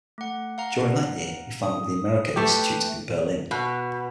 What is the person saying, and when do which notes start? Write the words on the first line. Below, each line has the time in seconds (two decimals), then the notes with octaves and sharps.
During that year he founded the Amerika-Institut in Berlin.
0.18 A3 F#5
0.58 F5 F#5 A#5
1.63 D#6
2.36 A3 G4 B4 G5
3.51 B2